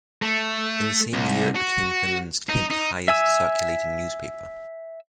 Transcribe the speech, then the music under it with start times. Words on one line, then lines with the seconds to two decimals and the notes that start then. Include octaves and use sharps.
In the same year it became Finland's tenth highest circulating newspaper.
0.22 A3
1.14 C2
1.55 F#4
2.49 D#4
2.71 D#4
3.08 E5 G#5 E6